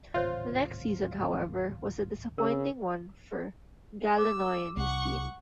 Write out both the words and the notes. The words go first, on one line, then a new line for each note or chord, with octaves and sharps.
The next season however was a disappointing one for Ghalenoi and his team.
D1 G#1 C3 F4 C5 C#5 E5
C#3 A#4
D6 E6
C2 F#5 C#6